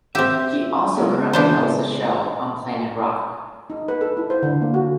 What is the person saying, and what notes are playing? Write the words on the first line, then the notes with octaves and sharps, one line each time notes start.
He also currently hosts a show on Planet Rock.
C4 G4 E5
C#3 G#3 B3
E3 D4 C5
D#4
B4
A4
E4
C5
D3
A#3
F#4